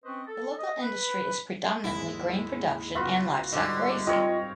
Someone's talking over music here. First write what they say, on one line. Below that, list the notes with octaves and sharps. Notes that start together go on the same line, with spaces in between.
The local industry is predominantly grain production and livestock grazing.
C4 C#4 B4 C5 D#5 C#6
A4
D#5
B4
D#2 G#2 G#3 E4
C#2 B3 F4 F#4 B4 E5
G#2 D3 G3 D#4 D6
C4 F4 A#4 C#5 D#5